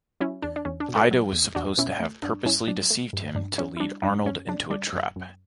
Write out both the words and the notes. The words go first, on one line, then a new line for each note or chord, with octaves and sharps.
Ida was supposed to have purposely deceived him to lead Arnold into a trap.
F#3 C#4 E4
E2 D4
D4
E2 C#4
D4
B2
F#4 A4
F#3
E2
E2 D4 F#4
B2 C#4 E4
A3
G2 D4
G2 C#4 E4
F#3 D4
A3
G2
G2 D4
F#3 C#4
E4
G3 D4
F#2 D4
F#2 C#4
C#3 D4
G3 D4
F#2
F#2